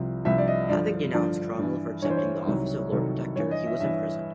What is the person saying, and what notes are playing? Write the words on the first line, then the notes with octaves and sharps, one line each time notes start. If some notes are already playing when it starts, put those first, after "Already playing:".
Having denounced Cromwell for accepting the office of Lord Protector, he was imprisoned.
Already playing: C2 C3 F3
C2 C3 F3 E5
D5
D#5
G2 D3 F3 D5
G2 D3 F3 D5
G2 E3
G2 E3 C#5
C5
C#5
C2 C3 D#3 F#3
C2 C3 D#3 F#3 A4
G2 E3 C#5
D#5
E5
G2 E3 E5